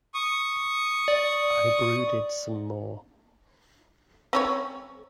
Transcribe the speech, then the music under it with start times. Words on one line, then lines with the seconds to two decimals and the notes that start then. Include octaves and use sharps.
I brooded some more.
0.14 C#6 D#6
1.08 D5
4.33 C4 C#4 C#5